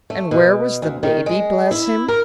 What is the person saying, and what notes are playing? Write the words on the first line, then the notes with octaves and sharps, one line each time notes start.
And where was the baby, bless him?
A3
B2
D2
D#3
G#3
E4
A#4